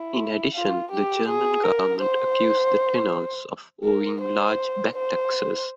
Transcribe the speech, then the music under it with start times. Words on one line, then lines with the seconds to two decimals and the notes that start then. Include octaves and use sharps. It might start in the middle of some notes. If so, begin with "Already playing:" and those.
In addition, the German government accused the tenors of owing large back-taxes.
Already playing: E4
0.55 F4
0.91 G4
1.28 G#4
1.64 A#4
2.01 C5
3.84 A#4
4.21 C5
4.95 C5